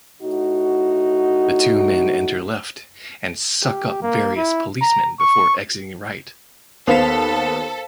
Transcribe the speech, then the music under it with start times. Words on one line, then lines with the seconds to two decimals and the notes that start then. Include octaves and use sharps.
The two men enter left and suck up various policemen before exiting right.
0.22 A2 D#4 F#4
3.64 G4
4.02 A#3
4.36 E4
4.81 A#5
5.20 C#6
6.87 D#2 B3 A4 C5 F5 B6 F7